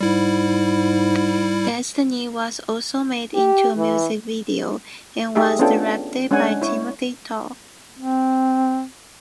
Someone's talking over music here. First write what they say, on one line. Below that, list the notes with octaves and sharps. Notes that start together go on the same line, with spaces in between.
"Destiny" was also made into a music video, and was directed by Timothy Tau.
G#2 G3 E4
G4
E3
A3 D#4 G4 G#4 E5
B3 C#4 D4 F4 A4 G5
G#3 C#4 D4 F#5 G#5
E4 C#5
C4